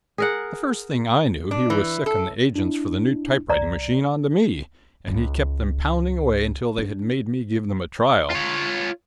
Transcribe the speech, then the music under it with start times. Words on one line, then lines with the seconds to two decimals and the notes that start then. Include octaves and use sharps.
The first thing I knew he was sicking the agents for the new typewriting machine on to me, and he kept them pounding away until they had made me give them a trial.
0.18 G#4 A#4 F#5
1.51 D4
1.70 E3
2.06 A4
2.56 D4 E4
3.50 C2 D5 A#5
5.08 C#2
6.78 D4
8.30 F4 C#5